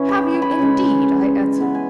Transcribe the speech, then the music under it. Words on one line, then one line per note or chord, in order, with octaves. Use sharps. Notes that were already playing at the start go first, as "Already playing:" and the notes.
'Have you, indeed?' I answered.
Already playing: E3 C#4 E4
B5
G#5
B5
G#5
C#3 E3 G#3 C#4
E3 B3 E4 B5
G#5